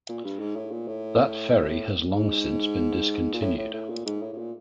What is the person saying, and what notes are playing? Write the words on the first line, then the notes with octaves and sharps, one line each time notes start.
That ferry has long since been discontinued.
A#2
G2
G#2
A2
A#2
A2
G#2
A#2
A2
A2
A2
A#2
G#2
A2
A2
A#2